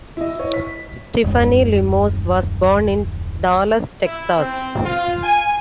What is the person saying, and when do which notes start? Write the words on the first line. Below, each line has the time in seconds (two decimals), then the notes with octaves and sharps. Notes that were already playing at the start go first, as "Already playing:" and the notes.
Tiffany Limos was born in Dallas, Texas.
0.17 E4 D#5
0.40 C#5
0.54 B6
1.24 D#1 F#2 G#3
4.06 E4
4.38 C4
4.84 F4
5.23 G#5